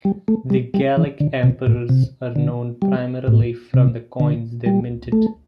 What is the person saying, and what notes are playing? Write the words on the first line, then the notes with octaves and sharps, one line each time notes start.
The Gallic Emperors are known primarily from the coins they minted.
G3
A3
G3
G3
E3
D3
C3
A2
C3
D3
G3
A2
C3
D3
G3
A3